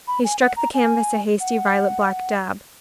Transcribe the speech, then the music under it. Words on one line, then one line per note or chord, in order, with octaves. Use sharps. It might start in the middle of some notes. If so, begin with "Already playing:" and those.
He struck the canvas a hasty violet-black dab.
B5
G#5
F#5
A#5
G#5
F#5